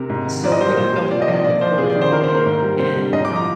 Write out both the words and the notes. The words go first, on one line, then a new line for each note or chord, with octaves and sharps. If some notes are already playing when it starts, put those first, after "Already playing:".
so we were going back and forth on it, and
Already playing: C3 A#4
G#2
D#3
G#2 D5
D#5
G3 C5
A#4
A#2 C5
G3
C3 D5
D#5
F3
D5
A#2 D5
F3 C5
C3 G#4
D5
D#3
C5
D#3 A#4
C5
A#3
A#4
G#2
G3
C3 C5
G3
G#2 D#5
D6
F3
A#5